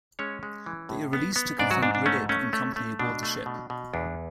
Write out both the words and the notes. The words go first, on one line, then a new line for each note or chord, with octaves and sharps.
They are released to confront Riddick and company aboard the ship.
G#3 C#4 C#5
G#3
E3
A2
B3
B3
G#2 D4 D5
F#3 F#4
G#2 D4
D4
A3 C#4
A3 C#4
A3
A3
B2 D4
A3
B2
B2
E2 D4